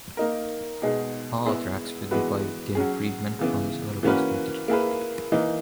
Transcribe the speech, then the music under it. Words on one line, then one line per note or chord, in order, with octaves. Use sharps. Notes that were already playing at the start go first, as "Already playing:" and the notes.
All tracks written by Tim Freedman, unless otherwise noted.
A#3 D#4 A#4
B2 G#3 D#4 G#4
G#3 B3 E4 G#4
E3 G#3 B3 F#4 B4
F#3 C#4 G#4
C#3 E3 B3
E3 A#3 C#4 F#4 B4
A#3 E4 G#4 B4
E3 A#3 D#4